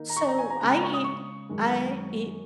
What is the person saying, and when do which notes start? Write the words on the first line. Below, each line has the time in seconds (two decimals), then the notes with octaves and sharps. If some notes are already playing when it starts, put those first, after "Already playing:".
So, I eat I eat
Already playing: D#3 A#3 D#4
0.10 A#5
0.17 C#6
0.28 A#5
0.39 G#5
0.50 A#5
0.61 C#3 G#3 C#4 A#5
0.72 A#5
0.83 C#6
0.94 D#6
1.04 C#6
1.49 F#2 D#3 G#3